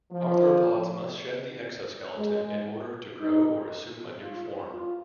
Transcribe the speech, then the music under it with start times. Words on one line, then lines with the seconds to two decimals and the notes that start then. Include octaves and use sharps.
Arthropods must shed the exoskeleton in order to grow or assume a new form.
0.12 F3
2.17 G#3
3.20 D#4
4.23 F4
4.74 F4